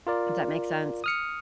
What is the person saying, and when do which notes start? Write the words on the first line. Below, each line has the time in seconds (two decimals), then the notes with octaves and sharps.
Does that make sense?
0.07 F4 A#4 D5
1.04 D#6 F6 C#7